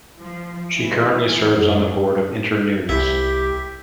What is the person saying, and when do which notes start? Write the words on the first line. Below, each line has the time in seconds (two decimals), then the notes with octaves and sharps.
She currently serves on the Board of Internews.
0.18 F3
0.73 E3
1.54 F#2
2.89 C2 E4 G4